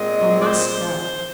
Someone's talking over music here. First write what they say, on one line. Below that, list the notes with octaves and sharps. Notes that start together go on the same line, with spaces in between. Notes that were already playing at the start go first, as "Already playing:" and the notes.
I must go.
Already playing: A#2 G#3 C4 D#5
D5
C5